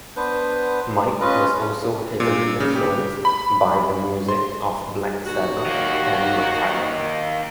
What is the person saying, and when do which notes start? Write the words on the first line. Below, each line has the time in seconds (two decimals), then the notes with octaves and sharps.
Mike was also heavily influenced by the music of Black Sabbath and Metallica.
0.16 B3 D4 B4 C5
1.21 C#4 F4 B4 D#5
2.20 A#2
2.60 C#3
2.76 G4
3.25 B5
4.28 C6
5.25 D#2 F#4
5.65 D#3 A#3